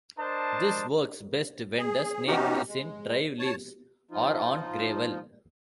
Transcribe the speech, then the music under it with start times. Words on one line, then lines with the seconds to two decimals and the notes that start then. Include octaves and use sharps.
This works best when the snake is in dry leaves or on gravel.
0.18 D4 A#4 C5 D#5 A5
1.78 G#4
2.27 C3 B3 C#4 D#4 F#4 G4
2.68 G#3
3.39 C#5 A5
4.11 F3 D#4 F4